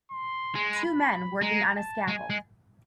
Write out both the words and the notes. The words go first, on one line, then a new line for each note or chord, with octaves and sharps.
Two men working on a scaffold.
C6
G#3
B5
G#3 A#5
A5
G#3 G#5
G#3